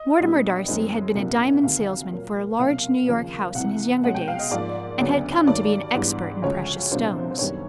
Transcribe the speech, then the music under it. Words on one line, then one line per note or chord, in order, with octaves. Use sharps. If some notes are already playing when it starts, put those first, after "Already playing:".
Mortimer Darcy had been a diamond salesman for a large New York house in his younger days, and had come to be an expert in precious stones.
Already playing: D#5
A#2 G3 B3 D4
F#2 D#3 G#3 C4
C2 A#2 G3 A#3 D4
D2 C3 D#3 F5
A#2 F#3 A#3
C2 B2 F#3 A#3 F5
D#2 C#3 F3 A#3
C2 C3 E3 F#5
B2 G#3 C#4 F#5
G5
F5
D#5
G#2 F3 A#3 D5
D2 C#3 F#3 B3 D4
G2 D#3 F#3 D5
G#2 E3 G3 B3 D4
D2 C#3 F3 G#3 C#4 C#5
C2 A#2 F#3 B3 D4 C5
C5
F#2 D#3 G3 B3 D4 C#5